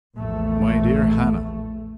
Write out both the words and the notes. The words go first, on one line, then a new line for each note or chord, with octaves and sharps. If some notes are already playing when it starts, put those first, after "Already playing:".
"My dear Hannah!"
A#1 E2 A3